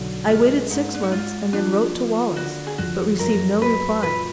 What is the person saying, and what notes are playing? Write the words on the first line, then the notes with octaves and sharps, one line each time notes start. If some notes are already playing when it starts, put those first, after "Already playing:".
I waited six months and then wrote to Wallace, but received no reply.
Already playing: B1 D3
G#3 F4
G#2 D#4
D4
D#4
G#2 F4
F3 D4
F3
D3 F#4
G#4
F2 F#4
F#2 A#4
F#2 B4
A#2 B4